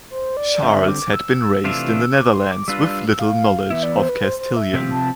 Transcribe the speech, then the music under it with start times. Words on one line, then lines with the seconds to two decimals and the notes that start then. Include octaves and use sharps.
Charles had been raised in the Netherlands with little knowledge of Castilian.
0.10 C5
0.37 D5
0.62 D3 G3 C4 E5
0.88 D6
1.13 E6
1.64 C3 E3 A3 D4 F4
2.16 D6
2.34 C6
2.51 D6
2.68 G3 D4 F4 B4 E6
2.85 E6
3.02 E6
3.19 F5
3.70 E3 B3 E4 E5
3.83 D5
3.97 C5
4.09 B4
4.22 C5
4.39 C5
4.56 E5
4.74 C3 F3 C4 G4
4.90 A5